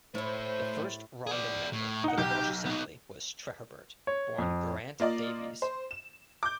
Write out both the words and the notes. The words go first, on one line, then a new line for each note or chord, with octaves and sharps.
The first Rhondda member for the Welsh Assembly was Treherbert born Geraint Davies.
A2 A3 E4 C5 C#5
G#4 D5
A2
D#4 F#5
B1 G4 G6
B3 D#4
C#5
F2
A#3 F4 D5 D#5
C5
E7
D6 G6